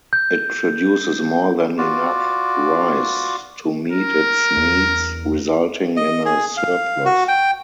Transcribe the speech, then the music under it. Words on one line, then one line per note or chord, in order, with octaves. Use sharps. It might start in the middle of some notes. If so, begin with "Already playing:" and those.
It produces more than enough rice to meet its needs resulting in a surplus.
G6
F4 F#4 D5
A#4
E2
D#5
G#4
F5
F#4
G5